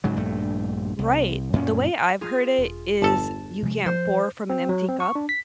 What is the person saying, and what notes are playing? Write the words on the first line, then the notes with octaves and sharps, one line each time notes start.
Right. The way I've heard it is you can't pour from an empty cup,
G#2 C#3 F#3
A#1 G2 A3
C2
F#2 A#2 C#4
F4 G#4
E1
G1 A4 A5
C3 F3 G#3
F3 C5
C4
F#3
C4
C#6
D4
B6